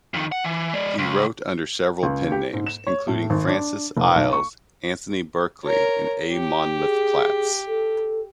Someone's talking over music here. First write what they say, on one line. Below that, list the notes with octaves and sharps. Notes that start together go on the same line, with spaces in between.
He wrote under several pen-names, including Francis Iles, Anthony Berkeley and A. Monmouth Platts.
F2 D#3
F#5
E3
G#3 D5
C#2
C#2
G4
G#2
E7
C#5
A2
G#1
D4
F1
B1
C#6
A#4 C#5
G4
G#4
A4